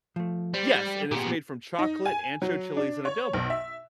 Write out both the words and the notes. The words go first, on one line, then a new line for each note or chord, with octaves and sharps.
Yes, and it's made from chocolate, ancho chilies, and adobo,
F3 A3
G3 C5
A#2 B3 G4 G#4
D#4
G#5
F#3
D4
C#5
B1
E5